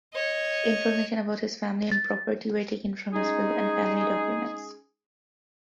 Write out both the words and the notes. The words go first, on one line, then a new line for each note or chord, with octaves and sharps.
Information about his family and property were taken from his will and family documents.
C#5 D#5
A6
G#3 C#4 D#4 G#4